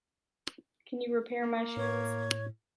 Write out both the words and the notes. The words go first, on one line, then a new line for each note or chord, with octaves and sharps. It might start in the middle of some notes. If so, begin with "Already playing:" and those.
Can you repair my shoes?
A#3
A2 C#5